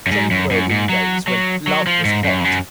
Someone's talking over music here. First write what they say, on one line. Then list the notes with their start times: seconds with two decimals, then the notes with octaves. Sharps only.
Chamber-windows when Love was hot?
0.07 F#2
0.12 G#2
0.31 F#2
0.51 F#2
0.71 G#2
0.89 F#3
1.28 F#3
1.67 F#3
1.87 F3
2.05 G#2
2.24 F#2
2.40 F2
2.44 F#2